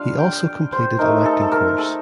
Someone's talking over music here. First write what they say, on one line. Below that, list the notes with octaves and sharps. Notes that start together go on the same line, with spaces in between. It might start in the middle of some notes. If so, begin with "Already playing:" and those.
He also completed an acting course.
Already playing: G3 D4 F4 F5
G5
C5
A3 D#4 A#4
A4
A4
A#4
A4